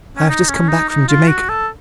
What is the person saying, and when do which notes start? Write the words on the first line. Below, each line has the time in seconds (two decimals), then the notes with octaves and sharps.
I have just come back from Jamaica.
0.17 C#4
0.29 D#4
0.49 C#4
0.69 D#4
0.89 D#4
1.08 F4
1.28 F#4
1.49 A4